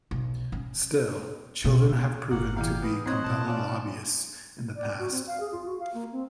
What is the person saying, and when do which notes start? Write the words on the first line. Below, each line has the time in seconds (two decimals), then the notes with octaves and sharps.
Still, children have proven to be compelling lobbyists in the past.
0.11 B1
0.52 C#4
1.64 B2 C4
2.30 G1 C3 A#3 F#5
2.56 A2 E3 E4 F5 G5
2.82 B3 G#4
3.06 A3 C4 C5 C#5 D#5 F#5
3.24 B2 E3 A5
3.48 C#4 F4 D5
4.76 D5
4.99 F#4
5.11 C4
5.27 F5
5.40 G#4
5.52 F4
5.66 F#4
5.80 F5
5.94 A#3
6.12 C4